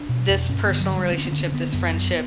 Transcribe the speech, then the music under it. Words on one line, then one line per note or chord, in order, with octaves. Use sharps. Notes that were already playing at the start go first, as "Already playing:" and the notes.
this personal relationship, this friendship,
Already playing: D4
B2
E2
G2 C#4
D3 B3
F#3
D3
G3
D3 B3
C#4
B3
D3 C#4
B3
C#4
D3 B3
F#2 B3
F#2